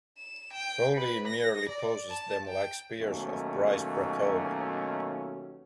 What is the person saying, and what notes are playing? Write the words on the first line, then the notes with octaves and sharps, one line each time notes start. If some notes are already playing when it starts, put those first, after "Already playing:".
Foley merely poses them like spears of prize broccoli.
E7
G5
B4
A#6
D5
A5
G5
D#2 B2 F#3 A3 C#4